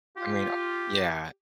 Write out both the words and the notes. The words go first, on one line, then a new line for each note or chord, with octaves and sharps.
I mean o yeah.
F4 G4